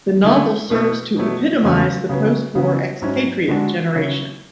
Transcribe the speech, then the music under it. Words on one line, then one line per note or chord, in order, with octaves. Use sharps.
The novel serves to epitomize the post-war expatriate generation.
D3 A3 E4
B2 A3 E4
B2 F#3 A3
E2 C#3 F#3 A3
C#3 F#3 B3
C#3 E3 B3
G#2 F#3 C#4 E4
D3 G#3 D4 F#4
C#3 F#3 C#4 E4